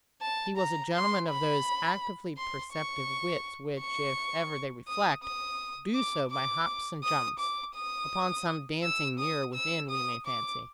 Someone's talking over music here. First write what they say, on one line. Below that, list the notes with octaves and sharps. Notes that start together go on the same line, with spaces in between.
He was a gentleman of those actively perceptive wits which, if ever they reflect, do so by hops and jumps: upon some dancing mirror within, we may fancy.
A5
A#5
C6
B5
C6
C#6
C#6
D#6
D#6
D6
D6
D#6
D6
D#6
E6
D#6
E6
D#6
D6